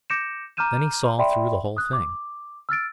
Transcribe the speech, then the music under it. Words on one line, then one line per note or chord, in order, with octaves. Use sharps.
Then he saw through the whole thing.
D6 G6 A#6 C#7 D7 E7
A#5 D6 F6 G6 D#7 E7
D5 E5 G5 B5 C6
D#6 F#6
D6
E6 F6 A6 D7